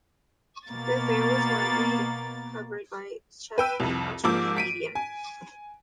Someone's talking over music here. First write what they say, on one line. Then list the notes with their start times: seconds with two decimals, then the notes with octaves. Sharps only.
The affair was widely covered by Czech and Austrian media.
0.68 B2 A#3 A6
3.58 B4 G5 E6
3.80 C2 F2
4.24 G#2 F3 A#3 D6 E6
4.56 B6 D7 D#7
4.95 G#5